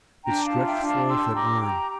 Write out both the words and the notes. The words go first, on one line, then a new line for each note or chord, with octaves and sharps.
It stretched forth an arm.
D4 G5 A#5
F5 A5
F4
E5 G5
D4
F5 A5
G4 C6 E6
G4 A#5 D6
G4 G5 A#5